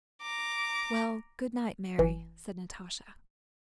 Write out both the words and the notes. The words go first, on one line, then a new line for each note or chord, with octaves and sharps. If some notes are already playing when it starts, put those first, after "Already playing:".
"Well, good night, Mary!" said Natasha.
A#5 D6
G1 E3 G#5